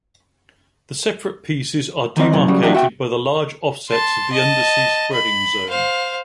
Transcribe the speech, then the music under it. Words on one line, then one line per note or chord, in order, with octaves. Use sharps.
The separate pieces are demarcated by the large offsets of the undersea spreading zone.
D#3 E3 C4 D#5
F#2 C3 E3 F#3
C#3 F#3 G3
E3 F#3 D4 D#4 F#4 G4
F#4 E5 G5
A5 C6
D#5 A5
B5
C5 F5